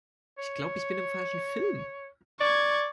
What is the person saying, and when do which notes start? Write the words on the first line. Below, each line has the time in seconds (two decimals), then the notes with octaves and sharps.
Ich glaube, ich bin im falschen Film.
0.38 C#5
2.40 D5 C#6 G#6